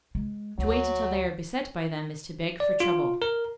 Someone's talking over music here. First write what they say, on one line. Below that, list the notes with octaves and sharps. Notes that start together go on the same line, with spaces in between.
To wait until they are beset by them is to beg for trouble.
G#3
D2 F#3
D5
F4
A#4